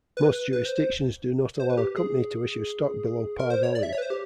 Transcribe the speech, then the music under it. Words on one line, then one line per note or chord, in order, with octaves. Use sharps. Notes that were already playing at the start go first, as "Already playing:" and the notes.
Most jurisdictions do not allow a company to issue stock below par value.
B4
B4
C5
C5
C5
B4
G4
G#4
A#4
C5
C#5
D5
E5
C#5
B4
C5
G4